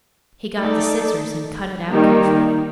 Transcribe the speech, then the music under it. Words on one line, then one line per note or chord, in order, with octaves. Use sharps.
He got the scissors and cut it out carefully.
A3 D#4 A4 D5
D#3 G3 A#3